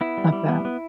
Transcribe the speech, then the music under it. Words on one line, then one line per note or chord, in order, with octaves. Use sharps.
Love that.
B3 E4
G3
G3
B3
B3